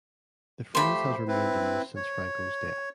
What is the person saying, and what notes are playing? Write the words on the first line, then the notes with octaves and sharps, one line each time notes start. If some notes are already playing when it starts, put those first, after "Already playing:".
The phrase has remained in use since Franco's death.
F3 A3 G4 C5 B5
C4 E4 B4
C#5